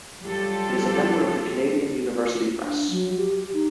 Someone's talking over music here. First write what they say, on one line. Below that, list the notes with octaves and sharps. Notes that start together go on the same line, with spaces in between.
It is a member of the Canadian University Press.
F#3 G3 F4 G4 A4
D4
F#3
G4
D#4